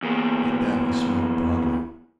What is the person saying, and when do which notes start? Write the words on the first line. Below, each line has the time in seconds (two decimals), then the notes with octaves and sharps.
At that he smiled broadly.
0.03 E2 A#3